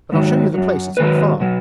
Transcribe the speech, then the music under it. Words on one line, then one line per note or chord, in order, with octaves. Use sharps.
But I'll show you the place, it's not far.
G#2 D#3 F#3
F#2 F#3
G#2 D#3 F#3 B4
B2 F#3